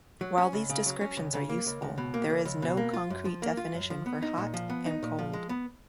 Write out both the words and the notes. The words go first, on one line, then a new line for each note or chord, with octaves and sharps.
While these descriptions are useful, there is no concrete definition for "hot" and "cold".
F#3
C#4
C#2
C#3
F#3
C#4
C#2
C#3
A#3
C#2
C#2
B2
A#3
C#2
C#2
B2
A#3
F4
F#2
F3
A#3
F4
F#2
F3
B3
D#4
A#2
F3
B3
D#4
A#2
F3
G#3
B3